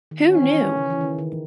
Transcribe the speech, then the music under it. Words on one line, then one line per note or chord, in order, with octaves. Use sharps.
Who knew?
D#3
D#3 C#4
E3
D#3
E3
C#3
E3
D#3
D#3